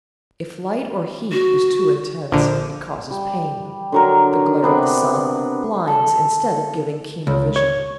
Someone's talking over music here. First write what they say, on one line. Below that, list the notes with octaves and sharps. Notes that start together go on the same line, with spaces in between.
If light or heat is too intense, it causes pain; the glare of the sun blinds instead of giving keener vision.
F#4
A#1 D3 C5
G3
D3 F#3 A#4
C3 B3 D4 B4
A4
C#2
C#5